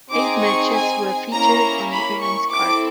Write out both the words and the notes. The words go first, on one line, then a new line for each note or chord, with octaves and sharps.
Eight matches were featured on the event's card.
C4 D#4 G#4 D6
C#6
G#5
A#3 C#4 E4 A#5
B5
C#6
C4 E4 A4 D6